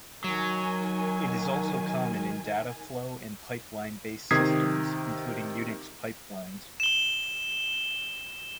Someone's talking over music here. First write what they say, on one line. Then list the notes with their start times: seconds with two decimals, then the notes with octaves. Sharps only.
It is also common in dataflow and pipeline-based systems, including Unix pipelines.
0.24 D#3 F#3 G#5
4.31 C3 D#3 D#6 G#6 B6 C7
6.80 E7 G7